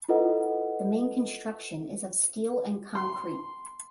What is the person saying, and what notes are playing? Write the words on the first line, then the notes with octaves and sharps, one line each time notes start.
The main construction is of steel and concrete.
E4 F4 A4 B4 D#5 F#5
C6